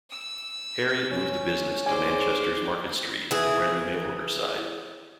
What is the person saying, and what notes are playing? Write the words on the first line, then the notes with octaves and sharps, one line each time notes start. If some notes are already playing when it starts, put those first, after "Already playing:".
Harriet moved the business to Manchester's Market Street and ran the mail order side.
E6
C#4
D#4 G#4 C5 D5 G#5 D6
E3 G#4